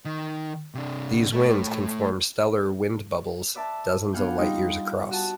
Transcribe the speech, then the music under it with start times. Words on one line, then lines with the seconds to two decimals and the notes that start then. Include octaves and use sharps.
These winds can form stellar wind bubbles dozens of light years across.
0.05 D#3
0.75 C3 D4
1.32 A3 C#5
3.55 B4 D5 E5 A5
4.13 B3 D4 F5 F#5 G#5 G6
4.38 G3 D#4 F4
5.11 F#4 A5